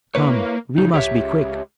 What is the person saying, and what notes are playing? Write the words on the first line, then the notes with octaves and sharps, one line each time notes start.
Come, we must be quick!
A#3 E4 B4 C#5
C#3 D#4
C#2 G4 C#5 E5